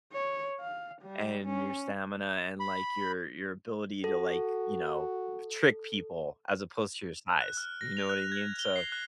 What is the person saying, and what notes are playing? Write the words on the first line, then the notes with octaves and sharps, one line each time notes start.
and your stamina and, like, your your ability to, like, you know, trick people as opposed to your size, you know what I mean? So
C#5
F5
G3
C#4
B5
F#4 A4
F#6
F6
A#6
F7
F#6
G#6
G7
C7
F#6